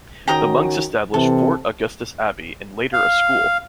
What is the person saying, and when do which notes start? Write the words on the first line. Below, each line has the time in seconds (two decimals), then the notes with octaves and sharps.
The monks established Fort Augustus Abbey and later a school.
0.28 D#3 C#4 F#4 G5 A#5 D#6
1.14 C3 E3 A4
2.93 F5